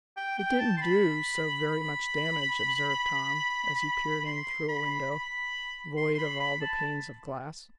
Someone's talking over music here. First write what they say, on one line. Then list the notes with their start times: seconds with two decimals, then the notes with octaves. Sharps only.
"It didn't do so very much damage," observed Tom, as he peered in through a window, void of all the panes of glass.
0.17 G5
0.39 G5
0.59 A5
0.77 C6
0.81 B5
1.67 B5
4.25 C6
4.68 B5
5.11 B5
5.97 C6
6.14 C6
6.18 B5
6.40 B5
6.61 A5